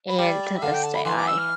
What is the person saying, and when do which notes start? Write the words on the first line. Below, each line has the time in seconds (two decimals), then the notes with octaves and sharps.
And to this day, I
0.08 B5
0.19 G3 D5
0.57 E5
0.62 D3 F5
0.73 G5
0.83 A5
0.94 B5
1.05 E3 C6
1.16 D6
1.27 E6
1.38 F6